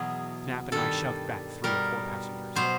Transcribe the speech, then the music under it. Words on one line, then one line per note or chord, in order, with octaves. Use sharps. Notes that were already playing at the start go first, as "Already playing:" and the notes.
Snap and I shoved back three or four passengers.
Already playing: E2 B2 F#3 G#4
G2 D#3 G3 A4
B2 G3 A#4
B2 F#3 C5